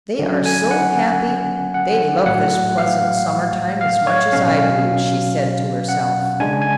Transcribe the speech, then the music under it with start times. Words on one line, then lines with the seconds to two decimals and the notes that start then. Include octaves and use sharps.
"They are so happy; they love this pleasant summer-time as much as I do," she said to herself.
0.19 D3 F#3 C#4
0.46 G#5
0.71 F#5
1.74 F#5
2.26 A2 F#3 A3 F#5
2.78 F5
3.81 F5
4.07 C#5
4.33 B2 F#3 C#4 F5
5.89 F#5
6.40 C#3 G#3 D4 G#5
6.62 G#5